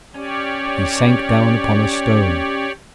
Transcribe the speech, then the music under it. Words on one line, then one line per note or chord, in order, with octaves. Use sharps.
He sank down upon a stone.
C#4 G4 C#5 D5